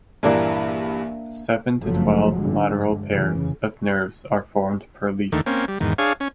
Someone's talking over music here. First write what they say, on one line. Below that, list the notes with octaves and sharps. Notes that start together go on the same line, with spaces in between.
Seven to twelve lateral pairs of nerves are formed per leaf.
A#1 G2 E3 A#3 D4 E4
G1 F#2 C#3 F3 F#3 A3
G2 D3 G#3
F1 C#3 E3
D#2 D3 D#3 A3
A#3 C4 C#4
G3
E2 G#2 D#3
D4 G#4 C#5 F5
C#4